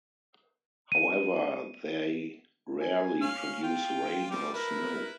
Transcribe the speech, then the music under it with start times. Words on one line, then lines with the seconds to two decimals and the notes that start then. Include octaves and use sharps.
However, they rarely produce rain or snow.
0.92 D#7
2.80 G#5
3.22 C#4 F5 F6
3.63 F4 G5
4.31 F3 G3 D6
4.54 E4 A#4 B4